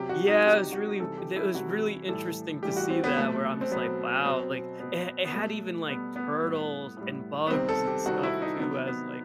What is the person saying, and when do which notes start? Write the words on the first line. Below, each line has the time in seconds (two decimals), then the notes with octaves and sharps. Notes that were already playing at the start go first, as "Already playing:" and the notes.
Yeah, it was really w they it was really interesting to see that where I'm just like, "Wow," like, it it had even, like, turtles and bugs and stuff too as, like
Already playing: C3 F#3 G4
0.09 F#4
0.28 D#4
0.46 C3 F#3 G4
0.72 F#4
1.00 C3 E3 G3 A4
1.18 G4
1.36 E4
1.54 C3 E3 G3 F#4
2.08 A2 E3 G3 A4
2.63 A2 E3 G3 G4
2.77 F#4
2.90 C4
3.04 B3
3.17 B2 F#3 A3
3.61 C4
3.71 B2 F#3 B3
4.25 B2 F#3 C4
4.79 B2 F#3 B3
5.25 B3
5.34 B2 G3 A3
5.88 B2 G3 B3
6.16 B3
6.43 A2 G3
6.97 A2 G3
7.47 B3
7.51 C3 D#3 G3 C4
7.69 A4
7.87 G4
8.06 C3 D#3 G3 F#4
8.23 E4
8.42 D#4
8.59 C3 D#3 F#3 B3
8.87 B3